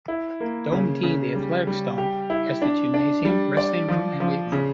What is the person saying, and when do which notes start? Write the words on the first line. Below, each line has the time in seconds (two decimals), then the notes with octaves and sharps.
Dome D, the athletics dome, has the gymnasium, wrestling room and weight room.
0.08 E4
0.41 A#3
0.72 C#3
1.03 C#3
1.35 G3
1.67 G3
1.98 G4
2.30 E4
2.62 D4
2.94 D4
3.25 G3
3.57 D5
3.88 F3
4.20 F3
4.52 C#3